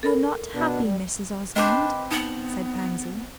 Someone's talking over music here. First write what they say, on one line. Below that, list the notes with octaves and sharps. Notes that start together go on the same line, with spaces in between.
"You're not happy, Mrs. Osmond," said Pansy.
A4 A#4 B5
B2 B3 D4
G3
C4 D4 B4 C5 D#5 D6
B3 D#4 F#7